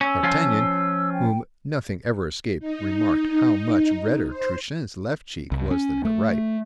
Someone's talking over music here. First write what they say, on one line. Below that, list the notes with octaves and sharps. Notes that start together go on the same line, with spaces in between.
D'Artagnan, whom nothing ever escaped, remarked how much redder Truchen's left cheek was than her right.
C#4 E6
F3 C#4 F4
G5
D#4
C5
C2
C#4
A3